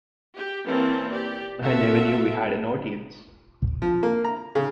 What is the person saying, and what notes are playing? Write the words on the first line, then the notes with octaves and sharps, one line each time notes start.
I never knew we had an audience!
G4
E3 A#3 C4 C#4 A5
G4 D5
C4 F#4 A4 E5 F5
F3
A#3
A#5
C#3